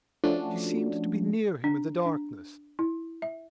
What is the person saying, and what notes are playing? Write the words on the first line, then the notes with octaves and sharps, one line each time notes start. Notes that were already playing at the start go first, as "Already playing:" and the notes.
She seemed to be near him in the darkness.
F3 A3 C#4 D4 F#4
D4
D4
E4
E5